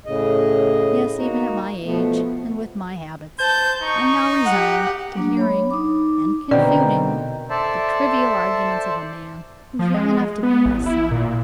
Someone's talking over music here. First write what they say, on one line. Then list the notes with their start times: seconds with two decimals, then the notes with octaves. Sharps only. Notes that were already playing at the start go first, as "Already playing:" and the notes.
Yes! even at my age, and with my habits, I am now resigned to hearing, and confuting, the trivial arguments of a man who is young enough to be my son.
0.06 A2 C#3 D#5
1.17 A#3 D#4 F#4
1.84 B2 F3 A3 B3
3.39 C5 A5 G6
3.83 D#4 C#6
4.46 G4 F#5
5.16 F#3 A#3 D4
5.37 C#5 B5
5.71 D#4 D6
6.51 B2 D3 D#3 B3 C4 D5 G5
7.50 A4 C5 D5 E5 A5
9.79 F3
9.94 G#3
10.43 B3
10.66 A1
10.86 E4
11.11 A#2